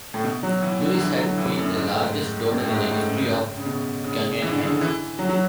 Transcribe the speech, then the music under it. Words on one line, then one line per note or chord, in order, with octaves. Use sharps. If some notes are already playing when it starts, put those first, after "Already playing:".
Lewis had been the largest donor in the history of the Guggenheim.
A2
B2
F#3
E3
D3
F#3
E3
F#3
E3
F#2
G#2
A2
G#2
F#2
A2
G#2
A2
C#3
C#3
B2
C#3
E3
D3
C#3
D3
E3
F#3
F#3